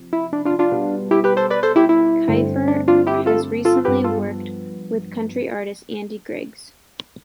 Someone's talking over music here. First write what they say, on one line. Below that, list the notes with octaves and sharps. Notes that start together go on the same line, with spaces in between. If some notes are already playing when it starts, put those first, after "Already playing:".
Keifer has recently worked with country artist Andy Griggs.
Already playing: C3 F3
E4
D4
D4 F4
D4 F4
B2 G3 B3
E4 G4
G4 B4
A4 C5
B4 D5
A4 C5
E4 G4
E4
G2 D3 A3 C4
D4
D4 F4
E4 G4
F4 A4
F4 A4
G2 F3 B3 G4 B4
F4 A4